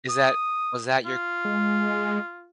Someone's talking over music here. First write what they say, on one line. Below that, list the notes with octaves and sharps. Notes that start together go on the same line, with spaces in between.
Is that was that your
D#6
F4
G#3